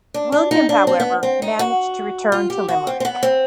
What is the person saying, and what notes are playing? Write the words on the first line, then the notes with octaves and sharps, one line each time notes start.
William, however, managed to return to Limerick.
D4
D4
D#4
D4
C4
B3
C4
D#4
F#4
F4
G4
F#4
C4
C4
B3
C4